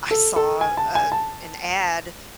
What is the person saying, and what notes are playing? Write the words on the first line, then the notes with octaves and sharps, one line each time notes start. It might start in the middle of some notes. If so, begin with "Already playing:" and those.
I saw, uh, an ad
A4
A4
G#5
A5
G#5
A5